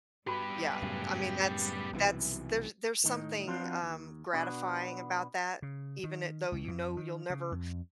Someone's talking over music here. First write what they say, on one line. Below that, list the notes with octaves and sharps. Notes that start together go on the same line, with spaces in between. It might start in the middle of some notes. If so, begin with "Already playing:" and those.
Yeah, I mean that's that's, there's there's something, um, gratifying about that even it though, you know, you'll never
G3 B3 F#4 G4 B4 B5
F#2 A2 C#3
B1 C3 E3
A2 D#3 D#4
F3 B3 C4 D4 F4 F#4
D#2
B2 B3 D4 F#4
C#3
D#3
C#2
F2
D#3
C#3
F2